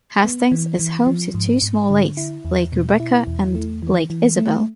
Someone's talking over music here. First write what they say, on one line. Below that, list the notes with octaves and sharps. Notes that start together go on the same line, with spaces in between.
Hastings is home to two small lakes, Lake Rebecca and Lake Isabel.
B3
E3
E3
F3
G#2
G#2
D3
E4
E2
B2
E4
E2
A3
E3
E3
A3